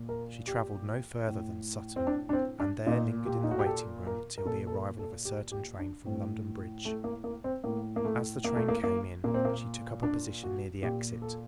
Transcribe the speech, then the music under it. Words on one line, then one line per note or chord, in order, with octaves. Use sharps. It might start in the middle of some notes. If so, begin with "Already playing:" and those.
She travelled no further than Sutton, and there lingered in the waiting room till the arrival of a certain train from London Bridge. As the train came in she took up a position near the exit.
Already playing: A#2
A#4
G4
A2
C4
D4
D4
C4
D4
A#2 D#4
G4
D#4
F#4
G4
A4
A#4
A#4
A#2 A4
A4
A#4
A4
G4
G4
D4
A2 C4
A3
A#3
A#3
C4
A2 A#3
A#3
A3
A#3
A3
A#3
A#3
A#2 A#3
C4
A#3
D4
F#4
A#2 G4
A4